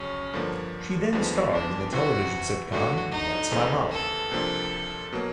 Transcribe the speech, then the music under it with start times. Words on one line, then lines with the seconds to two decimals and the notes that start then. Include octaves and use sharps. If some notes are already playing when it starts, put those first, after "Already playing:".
She then starred in the television sitcom "That's My Mama".
Already playing: F2 C#3 F#3 C#4
0.33 G2 D3 F3 A#3
1.13 D#2 D3 F3 G#3 B3
1.52 D4
1.93 C2 C3 E3 F#4
2.72 G2 D3 F#3 A3 D4 F#4
3.11 D#4
3.51 D#2 C#3 E3 A3 C4
3.91 A4
4.31 C2 C3 F3 A#3 D4
5.12 B2 F#3 A#3